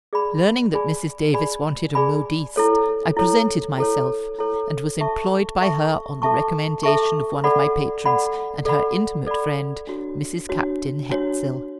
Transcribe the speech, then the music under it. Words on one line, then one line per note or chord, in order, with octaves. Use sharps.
Learning that Mrs. Davis wanted a modiste, I presented myself, and was employed by her on the recommendation of one of my patrons and her intimate friend, Mrs. Captain Hetsill.
G#4 D5 G#5 B5
G#4 D5 G#5 B5
G#4 D5 G#5 B5
G#4 D5 G#5 B5
E4 A4 C#5
E4 A4 C#5
E4 A4 C#5
E4 A4 C#5
A4 E5 A5 C#6
A4 E5 A5 C#6
A4 E5 A5 C#6
A4 E5 A5 C#6
A4 D5 F#5 B5
A4 D5 F#5 B5
A4 D5 F#5 B5
A4 D5 F#5 B5
D4 F#4 C#5
D4 F#4 C#5
D4 F#4 C#5